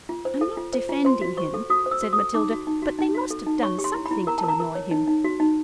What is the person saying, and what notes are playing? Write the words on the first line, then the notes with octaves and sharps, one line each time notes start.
"I'm not defending him," said Matilda, "but they must have done something to annoy him."
F4
C5
A4
F4
C5
F4
C5 C6
F#4
C5 C#6
A4
F#4 D#6
C5
E6
F#4
D#6
A4
D#4 D6
F#4
D#4
F#4
D#4
F#4
A4
D#4
C#5 C#6
G4
C6
E4
B5
E4
A#4 A#5
A5
A#4
A#5
A#4
C#5
D#4
D#4
F#4
D#4